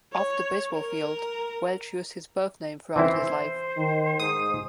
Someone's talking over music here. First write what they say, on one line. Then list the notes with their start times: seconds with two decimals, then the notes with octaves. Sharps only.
Off the baseball field, Welch used his birth name throughout his life.
0.13 C#5
0.72 A#4
2.96 E3 C4 E4 C5
3.76 D#3
4.20 G#2 D#6